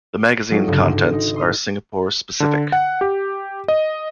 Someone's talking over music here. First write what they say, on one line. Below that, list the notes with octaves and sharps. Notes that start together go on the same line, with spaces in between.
The magazine contents are Singapore-specific.
F#3 C4 D#4 F4 A4 C#5
D2 G2 C#3
G#1
D#4
C6 D#6 F6
D3
F#5
G4
D#5